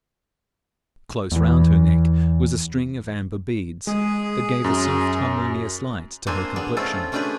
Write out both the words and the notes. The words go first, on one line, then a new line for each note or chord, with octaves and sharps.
Close round her neck was a string of amber beads, that gave a soft harmonious light to her complexion.
E2 E3
G#3 G#4
F#2
A#3 C4 D4 C5 G#5
B3 D4 G#4
A3 C4 C#4 E4 F4 A4
A3 C#4 D4 G4 G#4 B4